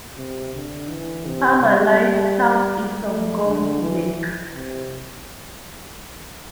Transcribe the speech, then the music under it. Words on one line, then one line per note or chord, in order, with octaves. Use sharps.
Palmer lies southeast of Gong Lake.
C3
D3
E3
C3
G3
A3
D3
E3
C3